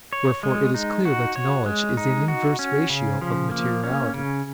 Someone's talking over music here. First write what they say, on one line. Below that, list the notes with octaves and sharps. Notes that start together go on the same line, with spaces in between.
Wherefore it is clear that knowledge is in inverse ratio of materiality.
C#5
G#3
D#4
F#4
C#5
G#3
D#4
F#4
C#4
C#3
F3
A#3
C#4
C#3